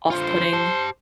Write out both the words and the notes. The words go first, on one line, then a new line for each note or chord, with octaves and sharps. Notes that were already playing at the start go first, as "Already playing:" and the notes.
off putting.
D3 F4 C5
G4 A5